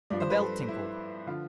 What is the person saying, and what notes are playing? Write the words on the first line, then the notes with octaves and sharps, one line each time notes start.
A bell tinkled.
G2 F3 D5
C5
B4
A4
E4
D3 F3 F4